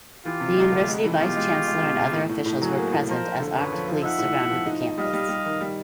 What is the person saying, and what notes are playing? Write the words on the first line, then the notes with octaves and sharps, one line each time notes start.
The university vice-chancellor and other officials were present as armed police surrounded the campus.
E3 F4 G4
C3
G#3
D2
G#3
E3
B2 F4 G4
G#3
G#3
G#3
B2
C#2
A2
A2
A2
F#3 F#4 G#4
A#3
A2
F3 A#4 C5
F3
D3
F#2 B4 C#5
F3
F3
D#4 E5 F#5
A2
A2
F3
D#4
D#4
G3 D#5 F5
G3
G3
D#3
G3